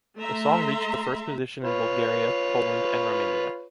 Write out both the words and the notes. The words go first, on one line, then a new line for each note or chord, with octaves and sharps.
The song reached the first position in Bulgaria, Poland and Romania.
A3 E5 A#5 C6
F4 B4 C#5